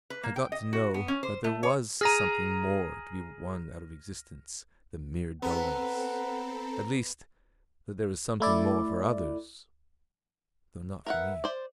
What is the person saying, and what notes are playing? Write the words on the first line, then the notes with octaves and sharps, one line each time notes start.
I got to know that there was something more to be won out of existence than mere dulness; at least, that there was something more for others, though not for me.
B4
A#3
G5
D#5
F#4
B3
C#4
C5
A3
C#5
G#4 A#5 F6 A#6 D#7
B3 C4 A4 F#5 A#5
A3 E4 D5
A#4 B4 E5 F#5
C5 D5